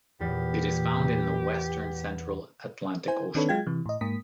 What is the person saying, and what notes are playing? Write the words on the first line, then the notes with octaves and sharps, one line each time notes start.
It is found in the western central Atlantic Ocean.
E2 A#2 G4
E4 C5 G#5
D#3 C4 D4 A4 B4 C#5
F#3 G#3 F4 G5 G#6
C3 E3
A2 D#5
G#2 A#3 D#6 B6